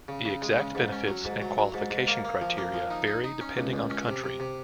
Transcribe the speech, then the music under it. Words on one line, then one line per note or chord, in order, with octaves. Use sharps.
The exact benefits and qualification criteria vary depending on country.
C#3
C#3
G#3
C#3
G#2
C#4
F#3
G#2
F#3
F#3
G#2
G#2
A#3
A#3
F3
A#3
F3
D#4
D#4
D#4
C#4
C#2
C#2
C#4
C3
C3
C3